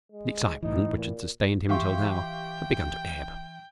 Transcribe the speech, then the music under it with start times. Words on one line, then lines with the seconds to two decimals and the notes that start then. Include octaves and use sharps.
The excitement which had sustained him till now had begun to ebb.
0.12 G#3
0.63 A2 E3 D#4
0.97 A#2
1.69 E3 G4 E5 F5 G5 C6 C#6